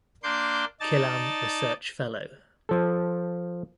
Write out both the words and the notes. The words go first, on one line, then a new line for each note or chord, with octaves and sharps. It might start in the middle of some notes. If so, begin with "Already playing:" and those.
Killam Research Fellow.
A#3 D4 C6 D6 G6
D#4 D5 A5 A6
F3 A4